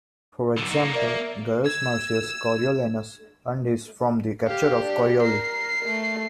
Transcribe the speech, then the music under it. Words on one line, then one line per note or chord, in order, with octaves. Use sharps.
For example, Gaius Marcius Coriolanus earned his from the capture of Corioli.
F#2 D3
A#3 D#4 F#4
A#3 A#4 D5 E5
E6 G#6
G4 F5
D4
A#4 C7
A3